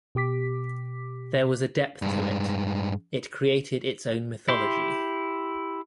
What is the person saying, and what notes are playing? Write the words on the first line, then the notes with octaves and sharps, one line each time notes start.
There was a depth to it: it created its own mythology.
B2 G4 D6 B6
G2 G#3
E4 G4 C6